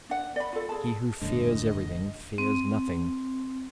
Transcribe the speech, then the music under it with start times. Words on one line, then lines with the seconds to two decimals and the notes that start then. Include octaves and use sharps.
He who fears everything fears nothing.
0.09 D4 F#5
0.36 D5 B5
0.53 F4 A4
0.69 G#4 A5
1.22 D#1 F#2 A2 D3 D#5
2.38 C4